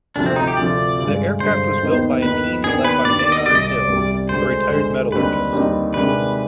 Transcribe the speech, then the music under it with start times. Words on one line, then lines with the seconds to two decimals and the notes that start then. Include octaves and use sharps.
The aircraft was built by a team led by Maynard Hill, a retired metallurgist.
0.15 D2 C3 F3 D4
0.26 C4
0.36 D#4
0.48 G4
0.57 D2 C3 F3 D5
0.99 G2 D3 G#3
1.39 G2 D3 G#3 C5
1.81 D#2 D#3 B3 D#4
2.22 D#2 D#3 B3 D#4 B4
2.64 D#2 D#3 B3 D4 G#4
2.85 B4
3.05 D#2 D#3 B3 D4 D5
3.19 D5
3.32 D#5
3.46 C2 C3 G3 D5
3.55 D#5
3.65 D5
3.88 C2 C3 G3
4.29 D2 D3 G#3 C5
4.70 D2 D3 G#3
5.12 D#2 D3 G3 C4 D#4 B4
5.52 D#2 D3 G3 C4 D#4
5.94 C3 D#3 G#3 D4 B4